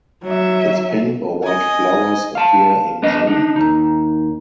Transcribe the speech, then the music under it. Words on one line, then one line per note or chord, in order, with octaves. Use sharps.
Its pink or white flowers appear in June.
F#3 E5
D#5 G#5
F5 A5
B3 D4 D#5
D4 D#4
D#2 D#4